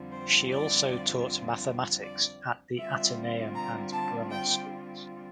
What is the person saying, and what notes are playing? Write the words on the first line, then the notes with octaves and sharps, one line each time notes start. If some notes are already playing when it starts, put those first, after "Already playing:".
She also taught mathematics at the Ateneum and Brummer schools.
Already playing: F2 D3 G3 C4 F4
C5
D5
D5
D3 G3 C4 F4 E5
A#5
A5
G5